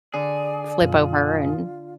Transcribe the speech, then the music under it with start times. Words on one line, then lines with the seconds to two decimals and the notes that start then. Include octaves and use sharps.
flip over and
0.14 D3 G#4 D5
0.81 F#2 B2 F4